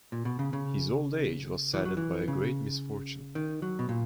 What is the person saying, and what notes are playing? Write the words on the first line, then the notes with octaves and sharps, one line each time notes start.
His old age was saddened by a great misfortune.
A#2
B2
C#3
C#3
E3
F#3
E3
C#3
D#3
F#3
B2
A#2